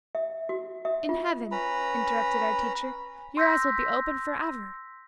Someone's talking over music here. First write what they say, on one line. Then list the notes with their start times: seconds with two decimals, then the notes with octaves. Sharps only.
"In Heaven," interrupted our teacher, "your eyes will be open forever."
0.15 E5
0.49 F#4
0.85 E5
1.09 F4
1.52 C#4 B4 A#5 B5
3.37 C6 E6 G6 A#6 B6